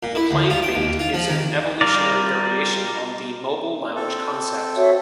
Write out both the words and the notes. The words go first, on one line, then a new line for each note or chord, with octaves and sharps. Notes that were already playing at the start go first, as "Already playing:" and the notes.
The Plane Mate is an evolutionary variation on the mobile lounge concept.
A#2
E4
D2
F4
G5
D#2
F4
F3
D#3
G3 F4 A#4 D5
C4 A4
F#4 C#5 E5